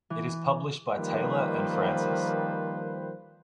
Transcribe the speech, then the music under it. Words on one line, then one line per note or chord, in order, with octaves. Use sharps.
It is published by Taylor and Francis.
E3
D#3 F3 G3 A#3 B4 C5